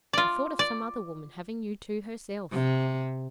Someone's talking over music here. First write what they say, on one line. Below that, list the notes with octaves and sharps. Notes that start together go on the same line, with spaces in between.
I thought of some other woman having you to herself.
F4 D5
D5
C3